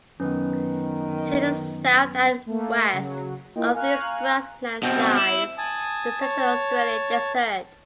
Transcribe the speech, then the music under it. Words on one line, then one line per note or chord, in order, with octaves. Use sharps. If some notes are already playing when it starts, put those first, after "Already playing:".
To the south and west of these grasslands lies the central Australian desert.
F#2 D#3 B3 C#4 B4
A3 A#3
C#3 F#3
A#3 E4 F4 D#5 G5
F5 G#5 A#5 C#6 F6 F#6
B2 C4
E4
G#5 A5 D#6
C#5 A5